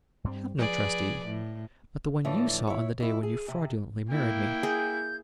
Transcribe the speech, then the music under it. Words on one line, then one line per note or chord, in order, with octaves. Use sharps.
I have no trustee, but the one you saw on the day when you fraudulently married me.
G2 G3 C4
F3 G#4 B4 D5
A2
A2 D3 E3 F3
E4 C#5
F2 E4
G#4
C3
A#3 E4 G5
G#4 G6